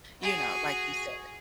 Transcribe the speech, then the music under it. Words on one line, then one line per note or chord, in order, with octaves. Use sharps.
you know, like you said
F#4 G#4